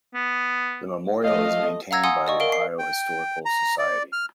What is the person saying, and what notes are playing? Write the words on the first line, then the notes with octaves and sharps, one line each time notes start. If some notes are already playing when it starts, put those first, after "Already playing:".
The memorial is maintained by the Ohio Historical Society.
B3
F3 A3 D#5 F5
F5 F#5 A#5 E6 G#6 A#6
F5 F#5 G#5 C6 D#6 E6
D5 D#5 C#6
A#4 F5 D7
C7
G5
A#5
D5
F6